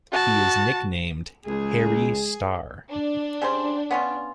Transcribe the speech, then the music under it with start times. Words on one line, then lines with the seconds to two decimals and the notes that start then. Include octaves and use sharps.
He is nicknamed "Hairy Star".
0.12 F#4 A5
1.47 C#2 G#3 G#4
2.90 D4
3.42 C#3 G3 C5
3.91 B3 C#4 F4